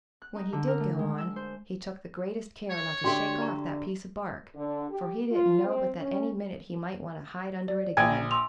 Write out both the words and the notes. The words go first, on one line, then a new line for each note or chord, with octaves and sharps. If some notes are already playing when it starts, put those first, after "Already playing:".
When he did go on, he took the greatest care not to shake off that piece of bark, for he didn't know but that any minute he might want to hide under it again.
F#6
D#4
D3
A#4
A3
G#3
E6
C5
C#5
D3 F#4 G4 E5 G5 C6
D5 A#5 C#6
D3
G4
F4
C4
C#4
D5
A#1 G5 G#5 G#6
C6 E6 F7